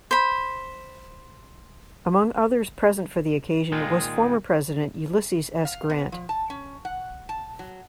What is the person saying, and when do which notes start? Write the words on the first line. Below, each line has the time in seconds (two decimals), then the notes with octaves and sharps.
Among others present for the occasion was former President Ulysses S. Grant.
0.11 C5 B5
3.72 A#2 D#3 G#3 D#4 F4
5.65 F5
5.90 B3
6.12 F3
6.29 A5
6.50 C#4
6.85 F#5
7.29 A5
7.59 F#3